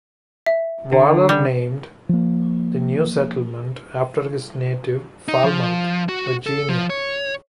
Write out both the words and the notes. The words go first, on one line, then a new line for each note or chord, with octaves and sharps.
Waller named the new settlement after his native Falmouth, Virginia.
E5
D3
G3
F3 A#3
D#4
F3
F#4
A4
F3
C#5